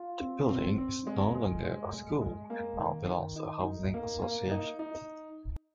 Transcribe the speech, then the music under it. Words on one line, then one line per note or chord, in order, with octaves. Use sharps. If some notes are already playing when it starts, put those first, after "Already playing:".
The building is no longer a school and now belongs to a housing association.
Already playing: F4
C4
C4
C4
G#3
G#3
G#3
G#3
G#3
A#3
D#3
D#3
D#4
D#4
A#3
A#3
D#4
D#4